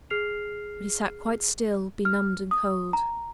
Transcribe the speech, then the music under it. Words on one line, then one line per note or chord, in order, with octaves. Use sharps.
But he sat quite still, benumbed and cold.
G#4 F6 C7 F7
F6
D#6
A#5